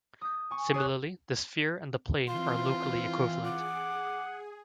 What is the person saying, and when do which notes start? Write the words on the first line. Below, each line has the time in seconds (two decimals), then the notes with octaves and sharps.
Similarly, the sphere and the plane are locally equivalent.
0.21 D#6 G6
0.51 G#5 C#6
0.74 G#4 C#5 C#6 F#6
2.28 E3 C4 F4 C6
3.45 G#4 F#5 D6